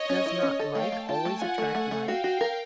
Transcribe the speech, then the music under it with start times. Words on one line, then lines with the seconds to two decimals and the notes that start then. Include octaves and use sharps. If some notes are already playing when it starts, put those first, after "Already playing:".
Does not like always attract like?
Already playing: C#5 D#5
0.09 C#4
0.26 E4
0.43 C#4
0.59 A4
0.75 A3 F5 G5
0.92 A3
1.09 F4 G5 A5
1.25 A3
1.41 F4 F#5 G#5
1.58 A3
1.75 A3
1.91 A3
2.08 F#4 F5 G5
2.24 F#4
2.41 A#4